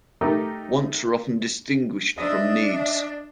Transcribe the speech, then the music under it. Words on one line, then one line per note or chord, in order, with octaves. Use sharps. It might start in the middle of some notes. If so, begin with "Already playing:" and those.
Wants are often distinguished from needs.
A3 D#4 G4 A#4
D4 D#5 E5